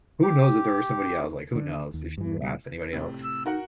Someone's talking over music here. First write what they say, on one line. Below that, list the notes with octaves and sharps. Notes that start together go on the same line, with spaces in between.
who knows if there was somebody else? Like, who knows if she even asked anybody else?
G4
D3
D#2
G2 E3
B2 G3
A2 C3
E6
D#4 F#4 A#4 F#5